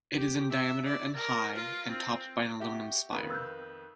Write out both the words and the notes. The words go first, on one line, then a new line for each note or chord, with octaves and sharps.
It is in diameter and high, and topped by an aluminum spire.
G4
E5
D5
A#4
F4
C4
F#4 G4 E5
F2 D#3 B4
E6 F#6 G6